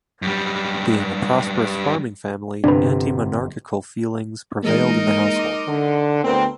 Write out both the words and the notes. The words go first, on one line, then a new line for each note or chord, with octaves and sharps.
Being a prosperous farming family, anti-monarchical feelings prevailed in the household.
F#2 G3
G1 C3 D4 B4
E3 G#3 A#3 D#4 A#4 D#5
C6 D6
D3
D2 B3 C4 A#4 B4